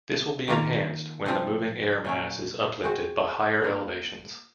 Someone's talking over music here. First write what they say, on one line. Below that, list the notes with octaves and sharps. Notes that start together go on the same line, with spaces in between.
This will be enhanced when the moving air mass is uplifted by higher elevations.
D#3 A#3 F4 A#4
C3 F3 C4 F4
A#2 F#3 C#4
G#3 C4 F#4 C5
A#3 F4 A#4